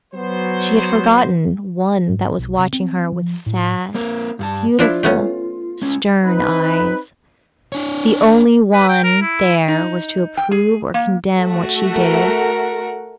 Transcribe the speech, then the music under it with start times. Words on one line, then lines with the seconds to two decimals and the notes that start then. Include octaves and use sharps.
She had forgotten one that was watching her with sad, beautiful, stern eyes--the only one there was to approve or condemn what she did.
0.14 F#3 B3 C5
2.09 G#2
2.38 B1
2.58 C3
2.73 C4
3.12 F3
3.46 A2
3.94 A#3 C4 A#4
4.39 G2 F#4 A5
4.79 F3 D4 E4 F4
5.03 A3 B3 C#4
5.82 G#3 C#4
6.24 C4 D#4 B4
7.73 D4 C#5
8.73 B4
8.89 G5
9.04 A#4
9.21 E4
9.68 D#4
10.37 G5
10.51 G#4
10.94 A#3
11.37 A3 F#4
11.93 A#4 F#5